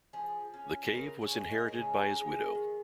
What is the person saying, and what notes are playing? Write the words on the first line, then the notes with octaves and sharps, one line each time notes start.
The cave was inherited by his widow.
F3 G#4
C#4
C#3 F4 A#4
G#4 C#5
G#3 D#4
C#5
A#4
G#4 C#5
C#3
G#3 D#4
D#3